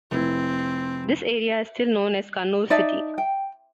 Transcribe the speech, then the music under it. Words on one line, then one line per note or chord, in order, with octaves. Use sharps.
This area is still known as Kannur City.
F1 C4 E4
D#4 D5 E5 A5
G5